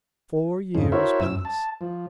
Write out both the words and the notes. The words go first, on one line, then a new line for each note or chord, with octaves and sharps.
Four years passed.
F2 G#2 C#3
E4 F#4 A#4 C5 C#5 E5
F#2 E6
A5
F3